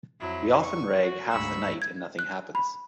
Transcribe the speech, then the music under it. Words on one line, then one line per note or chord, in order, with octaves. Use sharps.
We often rag half the night and nothing happens.
F2 F#3 E4
C#6
F#4
D2 G#2 B5 C#6 E6
G#6
F#6
B5